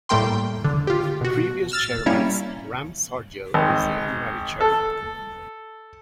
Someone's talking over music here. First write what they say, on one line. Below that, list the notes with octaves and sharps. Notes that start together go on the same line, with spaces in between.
Previous chairman Ram Sardjoe is the honorary chairman.
A2 G3 A3 A#3 G5 C6
D3
F4 G4
B2 F#4
E6 F6 A6
G3 A#3 C#4 E4
G#1
A4